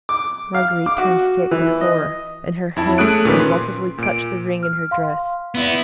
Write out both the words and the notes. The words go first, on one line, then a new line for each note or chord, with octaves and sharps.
Marguerite turned sick with horror, and her hand convulsively clutched the ring in her dress.
D6
F5
D6
F#4
E3
D#5
F2 E4 A5
A3 C#4 G#4 D#6 F#6 D7
A#2 D#3 C#4 B4
C6
A#2 D7
F6
F5 C6
B3 E4